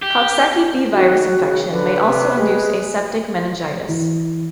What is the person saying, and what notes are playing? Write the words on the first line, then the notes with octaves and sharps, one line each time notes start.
Coxsackie B virus infection may also induce aseptic meningitis.
G4
D#3 F#4
C#3
D3 B4
C3
G#3
E3